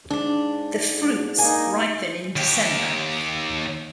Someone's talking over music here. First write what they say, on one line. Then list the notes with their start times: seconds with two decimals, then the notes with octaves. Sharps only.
The fruits ripen in December.
0.10 G#2 D4
1.38 A#3 D#4 G#5
2.36 D#2 G4